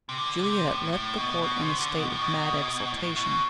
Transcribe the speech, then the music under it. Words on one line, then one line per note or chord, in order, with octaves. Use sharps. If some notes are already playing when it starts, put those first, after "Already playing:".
Juliette left the court in a state of mad exultation.
C3
D3
C3
A2
A2
B2
B2
C3
D3
B2
A2
B2
A2
B2